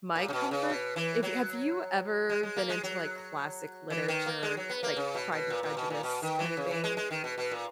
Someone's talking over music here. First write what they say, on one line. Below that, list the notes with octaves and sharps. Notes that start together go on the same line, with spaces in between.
my comfort, if y have you ever been into, like, classic literature, like Pride and Prejudice kinda thing?
A#2
C#3
B2
C#3
B2
E3
F#3
G#3
G#3
A#3
G#3
F#3
E3
D#3
A#3
G#3
F#3
B3
A#3
C#3
B2
B2
A#2
A#2
B2
A#2
B2
D#3
E3
C#3
E3
G#3
G#3
D#3
B2
B2
A#2